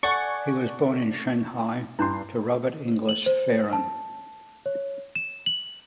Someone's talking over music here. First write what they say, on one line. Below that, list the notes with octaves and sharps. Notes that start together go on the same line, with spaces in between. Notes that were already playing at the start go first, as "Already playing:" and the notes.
He was born in Shanghai to Robert Inglis Fearon.
A4 D5 F#5 G#5 C#6
G2 C#4 D4 E4 C6
F#7
C5
A5
C#5
E7
F#7